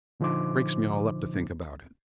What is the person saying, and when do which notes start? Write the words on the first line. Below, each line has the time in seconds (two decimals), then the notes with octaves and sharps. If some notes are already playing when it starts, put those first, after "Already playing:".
It breaks me all up to think about it.
0.20 A#2 D3 F3 D#4 C5 D6